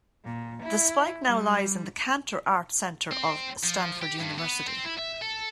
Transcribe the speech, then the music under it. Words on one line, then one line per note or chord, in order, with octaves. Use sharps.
The spike now lies in the Cantor Arts Center at Stanford University.
A#2
E4
G3
C4
F3
G4
G2
B3
C4
E4
E5
A4